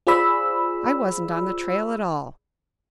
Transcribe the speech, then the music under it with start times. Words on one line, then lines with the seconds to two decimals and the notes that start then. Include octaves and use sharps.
I wasn't on the trail at all.
0.07 F4 G#4 C5 D5 B5 E6